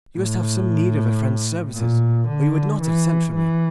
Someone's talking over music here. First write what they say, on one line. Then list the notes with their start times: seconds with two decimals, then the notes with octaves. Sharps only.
You must have some need of a friend's services, or you would not have sent for me.
0.18 A2
1.76 A#2
2.28 D3
2.81 E3
3.35 E3